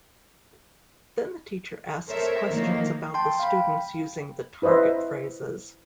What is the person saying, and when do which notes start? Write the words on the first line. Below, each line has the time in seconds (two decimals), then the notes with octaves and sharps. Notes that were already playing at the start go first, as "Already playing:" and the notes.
Then the teacher asks questions about the students using the target phrases.
2.08 A4 A#4 C5 C#5 E5
2.51 D#3 F3 F#3 A#3 D#4 F5
3.14 G5 A5 C6
3.40 F5 G5 B5
4.62 E4 B4 C5 D#5 E5